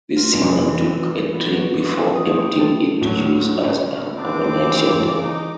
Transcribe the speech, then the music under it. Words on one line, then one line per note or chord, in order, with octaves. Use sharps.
The seaman took a drink before emptying it to use as an overnight shelter.
F4
F1
E3
E6
B3
F#4
F#4
E5
D#6
G4
A4
A2 F#3
C4 D4 D6
C#3 E3
D#4